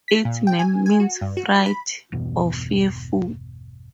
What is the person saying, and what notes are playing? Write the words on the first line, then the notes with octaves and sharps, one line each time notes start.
Its name means "fright" or "fearful".
B6
A#2
G5
G#5
G#5
F#4
G2
F#4
B5
G1 E2 B2